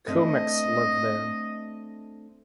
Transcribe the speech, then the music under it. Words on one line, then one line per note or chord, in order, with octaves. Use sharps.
Kumyks live there.
A3 C4 D4 D#5